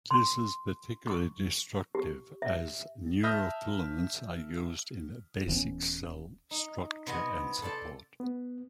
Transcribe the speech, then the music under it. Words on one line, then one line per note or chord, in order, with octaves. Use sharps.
This is particularly destructive as neurofilaments are used in basic cell structure and support.
C6
C#6
G4
E5
E5 A5 D#6 F6 G6 A#6
D#1 E3 B3 C#4
D#4
C3 B3 D#5 G#5
A4 C5 D5 A5
B3